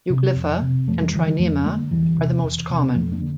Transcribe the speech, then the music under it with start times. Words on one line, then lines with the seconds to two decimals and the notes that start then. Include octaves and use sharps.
"Euglypha" and "Trinema" are the most common.
0.10 C3
0.36 F2
0.62 C3
0.87 F2 F3 A3
1.01 E3 G3
1.14 D3 E3 G3
1.27 E3 G3
1.39 F2 F3 A3
1.65 D3 G3 A#3
1.91 E2 E3 G3
2.18 C3
2.43 E2
2.70 C3
2.95 F2 F3 A3
3.12 A#3 D4
3.21 D3